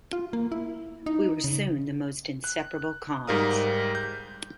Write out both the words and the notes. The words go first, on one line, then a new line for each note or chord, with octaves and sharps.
We were soon the most inseparable cons.
F4
A#3
E4
D#4
C#3
F#6
G#2 G3 A#4 F5 D#6
G6